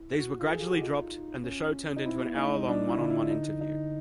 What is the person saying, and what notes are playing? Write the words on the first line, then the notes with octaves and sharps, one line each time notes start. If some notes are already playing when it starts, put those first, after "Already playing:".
These were gradually dropped and the show turned into an hour-long one-on-one interview.
Already playing: E4
F#4
F4 A4
G#4
F4 G4
F#4
D#4 F4
C#4
D#4
C4 E4
B3
A#3 D#4
A3
G#3
G3 D4
E4
D3 F4
E4
D#4
D#4